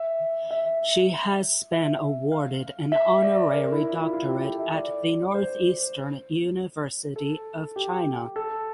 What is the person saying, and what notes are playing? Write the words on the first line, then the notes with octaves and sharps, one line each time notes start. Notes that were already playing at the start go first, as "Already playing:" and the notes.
She has been awarded an honorary doctorate at The Northeastern University of China.
Already playing: E5
E5
E5
F5
E5
D5
A#4
E4
F4
F4
G4
A4
E5
D5
C5
A4
G4
A4